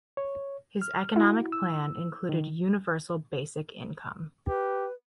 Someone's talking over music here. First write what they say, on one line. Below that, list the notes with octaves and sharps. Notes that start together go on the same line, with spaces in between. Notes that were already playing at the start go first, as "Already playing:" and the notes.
His economic plan included universal basic income.
C#5
F6
E4 F#4
E6
D#3
G4 B4